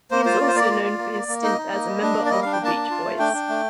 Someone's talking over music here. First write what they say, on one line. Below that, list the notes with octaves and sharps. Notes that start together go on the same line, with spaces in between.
He is also known for his stint as a member of The Beach Boys.
A#3 C5
F4 C5
A#3 D5
C5
A#3 D5
F4
F4
A#3
A#3
A#3
D#4 D#5
D#4
A#3
G3
D4
A#3
D5
G3 D#5
D4 F5
G5
A#3 A5
D4
F4
A3
D4 G5
D4
A3